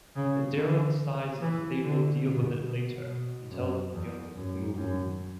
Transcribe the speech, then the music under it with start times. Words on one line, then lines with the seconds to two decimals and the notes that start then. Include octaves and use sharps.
Daryl decides they will deal with it later and tells the others to move.
0.15 C#3
0.58 D3
1.41 E3
1.83 D3
2.25 B2
2.67 B2
3.08 B2
3.50 F#2
3.93 E2
4.35 F#2
4.77 F#2